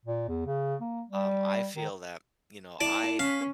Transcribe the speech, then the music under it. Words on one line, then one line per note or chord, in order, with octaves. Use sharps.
Um, I feel that, you know, I
A#2
E2
C#3
A#3
G3
D#3
E4 D5 A5
C#4 F5 B6